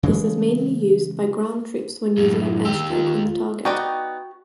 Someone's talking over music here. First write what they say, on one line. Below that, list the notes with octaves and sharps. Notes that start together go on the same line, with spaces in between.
This is mainly used by ground troops when using an air-strike on the target.
C#3 E3 G#3
F#2 A2
E4
D#2 G4 E6
F4
B3 D#4 F#4 D5 G5